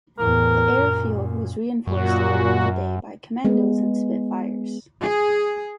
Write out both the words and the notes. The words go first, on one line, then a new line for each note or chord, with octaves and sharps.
The airfield was reinforced later in the day by commandos and Spitfires.
E2 A2 A#4
F#2 A#2
F#2 A#2 F#4
G#3 B3
G#4